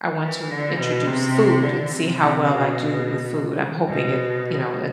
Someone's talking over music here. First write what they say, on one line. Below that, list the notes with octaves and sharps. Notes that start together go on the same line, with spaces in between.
“I want to introduce food and see how well I do with food.” I'm hoping it you know, that
E3
D3
B2
C3
D3
C3
C3
B2
B2